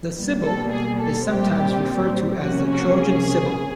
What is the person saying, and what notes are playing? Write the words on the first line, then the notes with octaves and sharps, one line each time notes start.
The Sibyl is sometimes referred to as the Trojan Sibyl.
B2 G3 A#3
A4
G#4
A4
A#2 G3 C4 G4
C3 F3 A#3 C#4 F#4
F#4
G#4